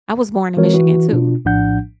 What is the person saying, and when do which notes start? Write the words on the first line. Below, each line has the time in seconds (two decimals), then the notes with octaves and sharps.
I was born in Michigan too.
0.57 E3 G#3 C4 F#4 A#4 C#5
0.74 E3 F#4
1.08 B2 D4 F4
1.45 A#1 A2 F3 D4 F#5 G6